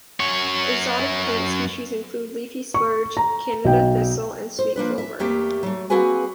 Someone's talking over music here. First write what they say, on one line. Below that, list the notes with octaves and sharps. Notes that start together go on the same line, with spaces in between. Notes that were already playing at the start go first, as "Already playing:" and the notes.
Exotic plant species include leafy spurge, Canada thistle and sweet clover.
F#2 C#5
C#6
A#5
B1 G5
C5
F3 A#3 D4 B4
E5
E2 A3 A#3 G4 E5
F#3 A3
A#3 C4 F#4 G#4 B4 G#5